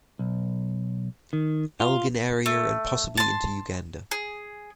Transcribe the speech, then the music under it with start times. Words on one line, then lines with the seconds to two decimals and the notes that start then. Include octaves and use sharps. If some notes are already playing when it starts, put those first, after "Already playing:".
Elgon area and possibly into Uganda.
0.19 B1
1.33 D#3
1.80 F4
2.46 A3
3.17 A5 C6
4.11 G#4